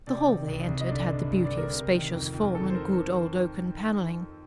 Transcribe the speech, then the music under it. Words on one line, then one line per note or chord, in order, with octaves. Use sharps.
The hall they entered had the beauty of spacious form and good, old oaken panelling.
C3 D5
D#3
C2
C2
D#5
D3 D5
G2
G2
D5
D3
A#4
C3
D#3
F2
F2
D#3 A4
C5
A#4